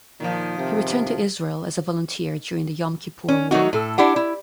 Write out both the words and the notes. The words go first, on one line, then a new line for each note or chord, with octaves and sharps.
He returned to Israel as a volunteer during the Yom Kippur War.
A#2 D#3 F3
C3
C#4
F#3 A3 D#4 F#4
A2 A4
D4 E4 G4 F#5
E4